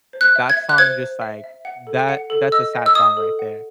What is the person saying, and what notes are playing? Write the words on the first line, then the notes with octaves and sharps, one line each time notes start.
That song just, like that that's a sad song right there
C5
F#6
E5
G#6
E5
F#6
C5 G#6
C5
E5
E5
F#5
A4
F#5
A4
D#5 E6
D#5
E6
D#5 D#6
A4
F#5